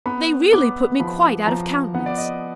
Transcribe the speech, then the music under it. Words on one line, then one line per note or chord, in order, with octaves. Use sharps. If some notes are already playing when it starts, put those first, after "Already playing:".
They really put me quite out of countenance.
B3 B5
B3 D6
F3 B5
F3 A#5
B3 F#5
D5
D#5